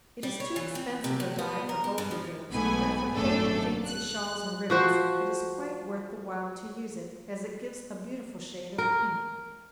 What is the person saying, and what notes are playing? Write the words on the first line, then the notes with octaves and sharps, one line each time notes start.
It is too expensive a dye for bulky goods, but for faded fancy shawls and ribbons, it is quite worth the while to use it, as it gives a beautiful shade of pink.
G3
C#5
E3
C4
C3
A2
B3
A#4
G4
G2
F3
B1 G#2 A3 B3 G#5
G#1 F#2 A3 D4 A4
F#6
F3 F#4 C5
A#4